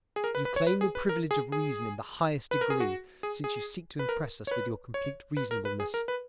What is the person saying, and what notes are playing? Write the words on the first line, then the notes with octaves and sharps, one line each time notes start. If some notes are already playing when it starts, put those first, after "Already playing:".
You claim the privilege of reason in the highest degree, since you seek to impress us with your complete reasonableness.
G#4
A#4
B4
B4
C#5
B4
G#4
B4
A#4
G#4
G#4
B4
A#4
G#4
F#4
G#4
G#4
B4
A#4
C#5
B4
C#5
B4
A#4
B4
G#4
A#4
B4